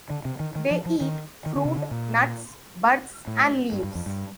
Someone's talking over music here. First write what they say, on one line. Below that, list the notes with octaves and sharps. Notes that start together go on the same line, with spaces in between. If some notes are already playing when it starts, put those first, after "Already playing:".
They eat fruit, nuts, buds and leaves.
D3
C3
D#3
D#3
F3
F3
D#3
D#3
D3
C3
D3
A#2
A2
G2
G2
F2
G2